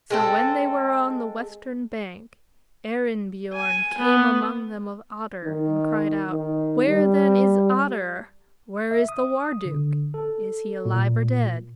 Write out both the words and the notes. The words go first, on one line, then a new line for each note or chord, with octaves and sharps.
So when they were on the western bank Arinbiorn came among them of Otter, and cried out: "Where then is Otter, where is the War-duke, is he alive or dead?"
G#3 C4 A4
G#5
B3
D#3
D#3
G3
E5
D#6
D3
A4
A#2